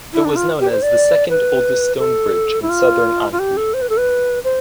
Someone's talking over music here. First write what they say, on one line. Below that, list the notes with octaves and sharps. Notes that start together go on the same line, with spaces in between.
It was known as "the Second Oldest Stone Bridge in Southern Anhui".
E4
D4
F4
G4
C5
D5
B4
A4
E4
F4
F4
G4
A4
C5
B4
A4
B4
C5